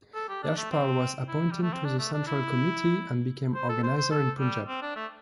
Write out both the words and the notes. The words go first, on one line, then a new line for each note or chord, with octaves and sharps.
Yashpal was appointed to the central committee and became organiser in Punjab.
A4
G4
D4
A3
C4
E4
G3
A3
C4
D4
A3
D4
E4
C5
A4
C5
C5
A4
G3
C4
D4
A3